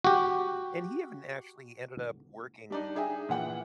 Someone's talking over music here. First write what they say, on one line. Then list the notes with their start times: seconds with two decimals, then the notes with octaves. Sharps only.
and he even actually ended up working
0.05 F#4 G4
2.70 G3 D4 D#4
2.96 D#4 G#4 E5 G5 G#5
3.29 A#2 E3 F#5 G5